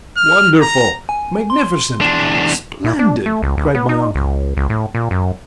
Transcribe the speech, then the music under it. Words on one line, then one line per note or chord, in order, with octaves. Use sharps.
"Wonderful, magnificent, splendid!" cried my uncle.
F6
A#5
G#5
C6
E2 D4
A#2
D4
A3
C#2
D2
B3
D#4
C#2
C#2
A2
A#2
F#2